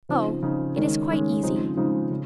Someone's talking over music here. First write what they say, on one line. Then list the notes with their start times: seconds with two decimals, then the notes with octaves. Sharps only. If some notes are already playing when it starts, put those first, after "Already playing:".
'Oh, it is quite easy.
0.09 C#3 F3 C4 D#4
0.43 C#3 F3 C4 D#4
0.76 D#3 G#3 C#4
1.10 D#3 G#3 C#4
1.43 C#3 F3 G#3 C4 D#4
1.77 C#3 F3 G#3 C4 D#4
2.11 C#3